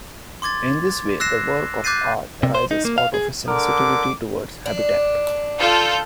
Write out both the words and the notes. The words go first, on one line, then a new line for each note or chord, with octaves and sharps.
In this way the work of art arises out of a sensitivity towards habitat.
C6 D6 G#6 A6
E6 F#6 A#6 C7 E7
D6 F#6 G6 A6 C7 D#7
C3
C5
D#4
A#3
F5
G#4
D3 A#4 D6
D4
F4 A4 G6